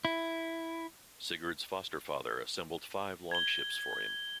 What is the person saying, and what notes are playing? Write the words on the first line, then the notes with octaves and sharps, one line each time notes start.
Sigurd's foster-father assembled five longships for him.
E4
G#6 G7